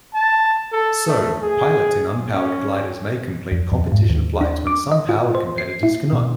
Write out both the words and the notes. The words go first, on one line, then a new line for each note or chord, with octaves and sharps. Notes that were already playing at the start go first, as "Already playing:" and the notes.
So, pilots in unpowered gliders may complete competition flights when some powered competitors cannot.
A5
A4
A3
G#4
C#4
F2
F2
G#2
D#2
D4
D6
D#5
F4
C5
C7
E4
B2